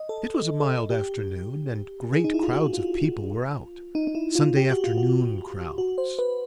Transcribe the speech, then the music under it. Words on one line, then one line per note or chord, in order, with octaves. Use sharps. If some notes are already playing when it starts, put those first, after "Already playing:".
It was a mild afternoon and great crowds of people were out. Sunday afternoon crowds.
Already playing: D#5
A4
A4
G4
G#4
D#4
E4
F4
F#4
F4
D#4
D#4
E4
F4
G4
F#4
F4
F#4
F#4
C5
B4